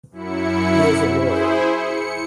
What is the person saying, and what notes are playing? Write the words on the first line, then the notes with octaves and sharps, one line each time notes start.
He is a lawyer.
F#2 E4 C#7
E4 G#4 C5
C#7